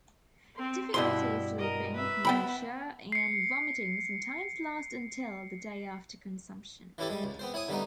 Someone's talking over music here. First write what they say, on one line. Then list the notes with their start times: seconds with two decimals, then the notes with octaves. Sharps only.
Difficulty sleeping, nausea, and vomiting sometimes last until the day after consumption.
0.55 C4 C6
0.94 G2 B2 E4 C6
1.58 A#4 D#5
1.94 B4 E5
2.25 B3 G5 B5
3.12 C7 C#7
6.98 E3 C#4 E4 G4 A4
7.10 G3 G#3
7.24 C#2
7.39 B3 C4 C5
7.54 E4 C#5 G#5 D#6
7.68 D3 G3 A3 B3 C4 D#4